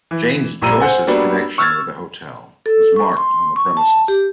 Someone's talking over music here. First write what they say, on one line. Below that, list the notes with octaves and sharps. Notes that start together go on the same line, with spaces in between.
James Joyce's connection with the hotel is marked on the premises.
E3
A#1 A#2 G3 A#5 E6 D#7
C5 F#5 G#5
G3 A#3 B3 D4 F#4
C#6 E6 F6 G#6 A6
A4
C#6
C6
C#6
A5
G4